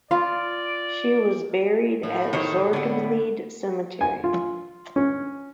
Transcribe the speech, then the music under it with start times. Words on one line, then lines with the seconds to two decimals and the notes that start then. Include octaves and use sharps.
She was buried at Zorgvlied cemetery.
0.11 F4 D5
2.03 A2
2.33 D#3 C5 C#5
2.73 D3 B3
4.01 G#5
4.24 F4
4.96 C#4